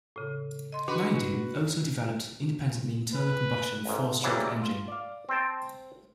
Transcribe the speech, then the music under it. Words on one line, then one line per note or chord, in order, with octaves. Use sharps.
Naidu also developed independently internal combustion four stroke engine.
A2 C#3
D#5 C6
D4 F#4 B4
B4
A1 G#2
G#2 C#3 E3 F#3 G3
F4
D5 F5
C4 C5 G5 A5